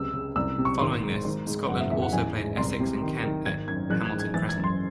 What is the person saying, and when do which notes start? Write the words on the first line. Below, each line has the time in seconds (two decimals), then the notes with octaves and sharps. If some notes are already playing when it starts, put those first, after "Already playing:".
Following this, Scotland also played Essex and Kent at Hamilton Crescent.
Already playing: C#2 C3 E6
0.13 C#3
0.36 C2 E6
0.58 C3
0.65 C#6
0.80 G#1 C6
1.02 G#2
1.24 G#1
1.46 G#2
1.68 F#1 F#5
1.80 E5
1.91 E2 E5
2.02 F#5
2.12 A1 G#5
2.35 G#2
2.57 C2 C6
2.80 C3
3.01 D#3
3.23 D#3
3.45 G#1 G#6
3.68 F#2 G#6
3.90 A1 F#6
4.05 G#6
4.12 G#2
4.19 G#6
4.34 E3 A6
4.49 G#6
4.56 F#2
4.64 C6